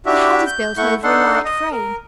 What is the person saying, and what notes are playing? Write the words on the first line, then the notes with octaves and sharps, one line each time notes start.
The head is built over a light frame.
D4 E4 F#4 G4 E5
G6
A3 E4 F#5 C#6 G6
D4 D#4 A4 F#5 C6
D#5
A#4